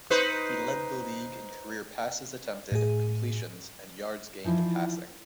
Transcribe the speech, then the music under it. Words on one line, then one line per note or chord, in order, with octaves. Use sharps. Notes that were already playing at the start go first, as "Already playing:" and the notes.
He led the league in career passes attempted, completions, and yards gained passing.
D#4 B4 C5
A2 G#4
E3 F3 D#4 E4